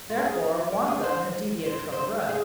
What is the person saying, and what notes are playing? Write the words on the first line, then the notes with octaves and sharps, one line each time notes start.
Therefore, one of them had deviated from the road.
F4
A#4
G#4
A#4
G#4
C5
C5
A#4
C5
G#4